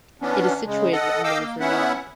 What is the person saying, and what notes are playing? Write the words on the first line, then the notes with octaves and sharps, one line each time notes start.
It is situated on the river Naab.
E3 B3 C#4 D4
C#3 G#3
A4 D#5 F#5
D#5 F5 G5 D6 E6
A#3
B3 C#4 E4 E5 F#5